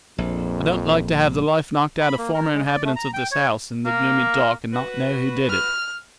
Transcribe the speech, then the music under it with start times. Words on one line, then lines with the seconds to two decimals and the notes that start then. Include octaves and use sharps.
I don't like to have the life knocked out of former inhabitants of this house, in the gloomy dark, and not know who did it.'
0.18 A#1 F2
2.01 B5
2.18 A#3
2.34 A#4
2.54 G#3
2.66 D5
2.85 A3
2.96 A#5
3.14 G5
3.32 C#5
3.86 A#3
4.73 F#4 B4
5.50 F6